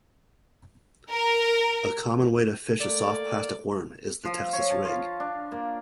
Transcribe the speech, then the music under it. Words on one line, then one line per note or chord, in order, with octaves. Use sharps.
A common way to fish a soft plastic worm is the Texas Rig.
A#4
A3 A#3 D5
F3
C#5
A5
F4
D4
A#3